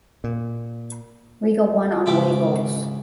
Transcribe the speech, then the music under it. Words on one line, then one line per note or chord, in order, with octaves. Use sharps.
Riga won on away goals.
A#2
G#2 C#3 E4 G4 E5 D6